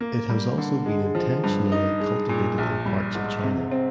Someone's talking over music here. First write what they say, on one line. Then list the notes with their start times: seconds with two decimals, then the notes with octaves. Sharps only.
It has also been intentionally cultivated in parts of China.
0.01 A#3
0.30 G3
0.58 D3
0.86 G#3
1.15 F3
1.44 G2
1.72 D#4
2.00 G#3
2.29 A#2
2.58 A#1
2.86 G3
3.15 G#2
3.43 C3
3.71 C4